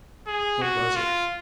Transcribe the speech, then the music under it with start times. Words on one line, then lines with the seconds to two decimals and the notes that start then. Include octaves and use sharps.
What was it?
0.27 G#4
0.62 F#4
0.96 F4